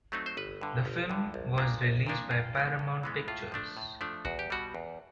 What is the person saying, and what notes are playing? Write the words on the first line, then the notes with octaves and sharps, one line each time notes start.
The film was released by Paramount Pictures.
F#3 A3 C4 D#4
C5
G1 B4
G2 D3
G1
G2 D3
A#1
A#2 F3 A#3 D4
A#1
A#2 F3 A#3 D4
G2 F4
E3 G#3 B3
G2
E3 G#3 B3
A2 F4
F3 A3 D4
A2
F3 A3 D4
E2 F#4
G4
B2 G3 F#4
E2